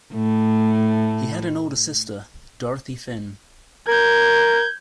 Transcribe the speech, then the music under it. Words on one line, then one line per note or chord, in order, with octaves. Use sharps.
He had an older sister, Dorothy Finn.
A2 A3
A#4 G6 G#6